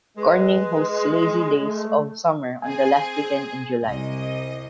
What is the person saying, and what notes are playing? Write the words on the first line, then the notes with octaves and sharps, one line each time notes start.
Corning hosts Lazy Days of Summer on the last weekend in July.
G#3 B4
A3
C4 G#4 G#5
C2 D#5